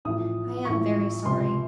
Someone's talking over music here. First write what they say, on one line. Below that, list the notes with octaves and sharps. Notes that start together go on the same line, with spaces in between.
I am very sorry.
A1 A2 F3 D#6
A1 A2 F3 C#6
C#2 C3 F3 C6